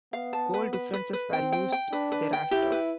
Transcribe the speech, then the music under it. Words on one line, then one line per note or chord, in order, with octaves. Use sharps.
Goal differences were used thereafter.
B3 F5
A5
B4
B4
B4
B4
C4 G5
G5
G5
D4 B4
B4
G5
E4 G4
B4